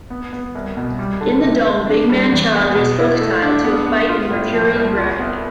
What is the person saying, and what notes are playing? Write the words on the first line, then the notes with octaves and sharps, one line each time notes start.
In the Dome, Bigman challenges Urteil to a fight in Mercurian gravity.
B3
B3
C2
B2
G3
D3
C3
C3
D4
G3
E2
B3
B2
E4
A3
D4
B3
B3
F4
A2
F3
C2
F4
B3